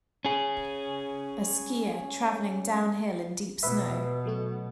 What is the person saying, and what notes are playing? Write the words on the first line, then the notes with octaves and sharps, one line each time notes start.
A skier traveling downhill in deep snow.
C#4 G#4
B2 B4 E5
F#3 A3 F#4